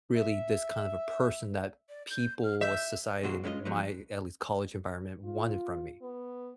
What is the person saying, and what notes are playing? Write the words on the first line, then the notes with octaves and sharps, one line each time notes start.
really this kind of a person that people of society in my at least college environment wanted from me.
E5
D5
G6
F6
E5 G6
B2 E3 F#3 F4 F#4 G#4
G#3 A#3 C#4 E4 F4 D#5
G#2 F3 F#3 B3 D#4
F4
B3